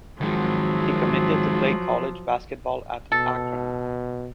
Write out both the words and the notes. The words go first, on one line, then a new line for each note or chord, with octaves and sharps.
He committed to play college basketball at Akron.
D#3 F3 F#3 G#3
B2 A4